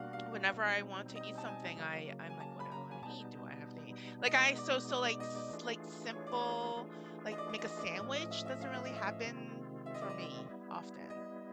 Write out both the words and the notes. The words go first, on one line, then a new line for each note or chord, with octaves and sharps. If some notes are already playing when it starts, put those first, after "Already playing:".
whenever I want to eat something, I I'm like, "What do I wanna eat? Do I have to eat?" Like I So so, like, s like, simple like, make a sandwich doesn't really happen for me often,
Already playing: B2 G3 A#3 D4 F#4 F5 F#5
F5
B2 G3 C4 D#4
D#5
A5
G#5
C#3 F#3 A#3
G#5
A5
B5
A#5
G#5
B2 G3 B3 D#4 A5
B2 G#3 B3 D#4 D#5
D5
D5
D5
D#5
D5
E3 A3 D4 F4 G#4
C#5
D5
C#5
E3 A3 D4 F4 G#4
D#5
D5
D5
D#5
D#5
D5
A2 F3 A3 C#4 D5
D#5
E5
E5
F5
E5
D#5
E5
C3 D#3 G#3 C4 F4
E5
D#5
D5
D#5
G3 B3 E4
D#5